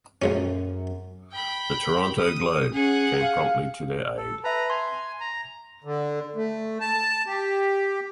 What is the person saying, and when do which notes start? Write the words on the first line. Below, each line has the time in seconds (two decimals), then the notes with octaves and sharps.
The "Toronto Globe" came promptly to their aid.
0.22 A#1 F#2 G#3 C#4
1.32 G5 B5
2.18 D#6
2.73 C#4 G#4 F#5
3.21 F5
4.17 A4
4.44 B4 E5 A5 A#5
4.70 G#5 C6
5.20 A#5
5.84 D3
6.36 A3
6.80 A5
7.26 G4